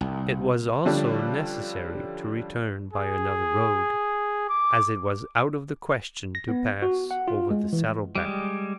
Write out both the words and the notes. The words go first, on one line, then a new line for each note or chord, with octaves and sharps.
It was also necessary to return by another road, as it was out of the question to pass over the saddle-back.
C2
D3 F3 G3 C#4 D4
G#4
D6
A#6
B3
F#4
F#5
F4
G#3
E3
G3 G#3